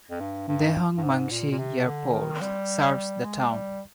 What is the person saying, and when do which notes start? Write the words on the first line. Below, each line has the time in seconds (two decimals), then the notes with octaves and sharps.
Dehong Mangshi Airport serves the town.
0.10 F2
0.20 G2
0.48 G2
0.98 G2
1.03 G#2
1.31 A#2
1.51 A#2
1.58 C3
1.86 D3
2.13 D#3
2.41 G3
3.24 G#3
3.51 G3